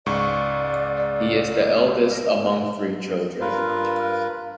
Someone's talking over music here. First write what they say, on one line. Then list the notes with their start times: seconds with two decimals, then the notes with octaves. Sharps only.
He is the eldest among three children.
0.06 C#2 G#2 D5 C#6
3.41 G2 F4 A#4 B4